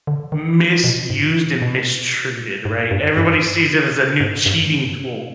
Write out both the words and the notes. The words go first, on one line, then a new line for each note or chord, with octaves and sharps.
misused and mistreated, right? Everybody sees it as a new cheating tool.
D3
D#3
B2
G#2
B2
G#2
G2
G2
G#2
G2